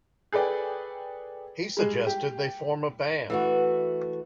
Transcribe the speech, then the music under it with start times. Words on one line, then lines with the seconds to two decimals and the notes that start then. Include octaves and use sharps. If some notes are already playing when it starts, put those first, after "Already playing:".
He suggested they form a band.
0.32 G#4 A4 B4 D5 G5
1.77 G3 G#3
2.06 G4
3.30 E3 A3 F#4